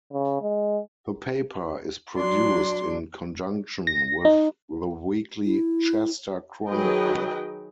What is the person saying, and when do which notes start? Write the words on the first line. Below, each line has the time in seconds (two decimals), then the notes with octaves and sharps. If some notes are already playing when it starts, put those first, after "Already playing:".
The paper is produced in conjunction with the weekly "Chester Chronicle".
0.13 C#3
0.42 G#3
2.16 F#3 D4 C6
3.87 A#6
4.25 D#4
5.45 E4
6.69 D#3 F#3 G#4 B4 D#5 G5